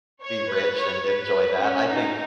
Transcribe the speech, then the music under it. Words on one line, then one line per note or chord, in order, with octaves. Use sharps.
be rich and enjoy that. I think
C#5
B4
C#5
B4
C#4
D#4